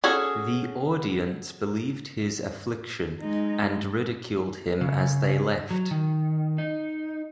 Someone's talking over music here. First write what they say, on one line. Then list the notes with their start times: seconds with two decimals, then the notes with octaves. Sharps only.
The audience believed his affliction and ridiculed him as they left.
0.04 C#4 F#4 G#4 A4
3.20 G#3 D#4
4.81 C#3
5.71 F#3
5.91 D#3
6.58 D#4